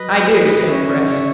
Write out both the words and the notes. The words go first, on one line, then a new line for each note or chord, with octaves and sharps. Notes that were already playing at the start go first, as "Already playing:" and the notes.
"I do," said Chris.
Already playing: F#3 B4 D#5
F#4
F#4
C#4 C#5 E5
C#3